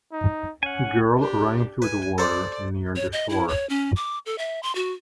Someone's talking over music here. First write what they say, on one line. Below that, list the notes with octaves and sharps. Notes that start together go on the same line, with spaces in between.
Girl running through the water near the shore.
D#4
C#4 F#5 G#5
D4 G4
B4 G#5
A4 C5 D5
C#5
D#5
E4
C#5
C#4
D6
A4
E5
C6
F#4